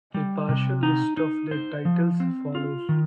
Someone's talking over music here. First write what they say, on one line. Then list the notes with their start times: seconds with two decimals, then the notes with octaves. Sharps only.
A partial list of their titles follows.
0.14 G3
0.49 C3
0.83 D#4
1.17 D#4
1.51 C5
1.85 F3
2.20 C4
2.55 F4
2.89 D#3